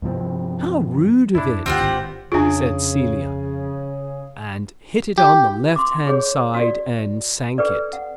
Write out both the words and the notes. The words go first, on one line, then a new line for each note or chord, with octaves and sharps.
"How rude of it," said Celia, and hit it on the left-hand side, and sank it.
G2 C3 F3 C4
F#2 D4 E4
D2 G2 D#3 C4 F4 G4 F#5
G#1
F2 C#3 D4 F4 G#4 G#5
G4
C6 D6
G4 G#4 C#5
F#4 D5
G4 A4 B4 D5
F#5